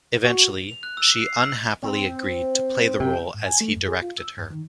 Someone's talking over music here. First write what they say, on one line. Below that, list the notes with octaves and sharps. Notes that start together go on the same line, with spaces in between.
Eventually, she unhappily agreed to play the role as he directed her.
F#4
F7
F#6
E6
C7
E6
C4
C3 G5
G#2
G#5
A3
F#2
G#4
F4
E6
G2
D#3